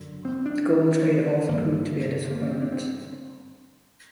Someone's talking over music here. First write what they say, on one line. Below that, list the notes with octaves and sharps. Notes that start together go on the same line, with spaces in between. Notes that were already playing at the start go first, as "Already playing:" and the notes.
The gold trade also proved to be a disappointment.
Already playing: F#1 F#2 D3
C4
D4
G1 G2 D3 A#3
A#3
A#3
C4
D4
C4